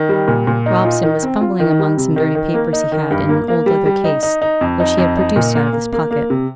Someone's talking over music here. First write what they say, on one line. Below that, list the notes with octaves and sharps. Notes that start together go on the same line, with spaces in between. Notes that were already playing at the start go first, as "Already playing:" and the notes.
Robson was fumbling among some dirty papers he had in an old leather case, which he had produced out of his pocket.
Already playing: D#3
G3
A#2
A#2
D#4
F4
D#3
C4
F4
D#3
G3
C3
D#3
D#3
A#3
D#4
D#3
G2
A#3
A#3
G3
G3
D#4
D#4
D#4
F2
D#4
F2
D#4
A#2
A#3
A#3
A#3
A#3
C3